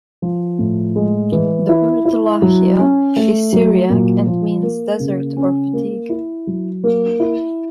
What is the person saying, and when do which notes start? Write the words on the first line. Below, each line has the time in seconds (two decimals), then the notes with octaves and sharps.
The word "Lahia" is Syriac and means "desert" or "fatigue".
0.22 F3
0.59 A2
0.96 G#3
1.32 E3
1.69 E4
2.05 E4
2.42 F#3
2.79 C#4
3.16 A3
3.53 F#3
3.90 A#2
4.27 F3
4.63 A#3
5.00 C#3
5.37 C#4
5.73 A#3
6.09 E4
6.47 F#3
6.84 A#3
7.20 E4